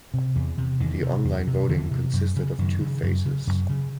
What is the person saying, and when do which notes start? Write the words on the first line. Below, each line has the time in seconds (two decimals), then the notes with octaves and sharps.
The online voting consisted of two phases.
0.14 C3
0.36 E2
0.58 C3
0.80 E2 D#3
1.02 C3
1.25 E2
1.47 C3
1.69 E2 D3 E3
1.91 C3
2.13 F#2
2.36 C#3
2.59 F#2 D#3
2.81 C#3
3.03 F#2
3.25 C#3
3.47 F#2
3.69 C#3